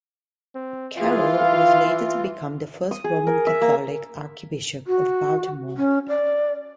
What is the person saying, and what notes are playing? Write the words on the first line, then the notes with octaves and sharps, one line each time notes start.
Carroll was later to become the first Roman Catholic archbishop of Baltimore.
C4
E3 F4 G#4
F5
D#6
G#4
A#4
E5
A#3
F#4
C#4
D5